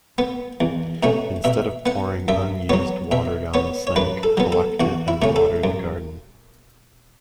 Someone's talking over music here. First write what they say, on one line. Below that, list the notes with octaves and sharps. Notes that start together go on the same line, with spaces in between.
Instead of pouring unused water down the sink, collect it and water the garden.
B3
E2
B2 A3 C#4
B2 E5
B3 F#5
F#2 E5
F#3 B3 C#5
B2 E5
B3 C#5
C#5
F#2 B4
A4
F#3 B3
A4
E2 F#4
E4
C#3 A3 C#4
A4
F#2